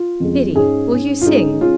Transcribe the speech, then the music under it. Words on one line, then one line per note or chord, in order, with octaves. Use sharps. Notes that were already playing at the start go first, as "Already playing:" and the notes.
'Biddy, will you sing.
Already playing: F4
F2 C#3 G#3
G#2 G#3 C#4 G#4
G#2 G#3 C#4
F4
G#2 G#3 C#4 D#4
G#3 C#4 F4